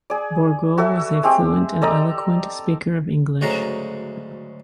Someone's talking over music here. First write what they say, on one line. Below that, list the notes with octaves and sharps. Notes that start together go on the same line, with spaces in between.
Bourgault was a fluent and eloquent speaker of English.
G#4 D5
F#4 A4 B4 E5
G#3 C4 G4
A4 D5 D#5 A#5
D2 G#2 C#3 F#3 A#5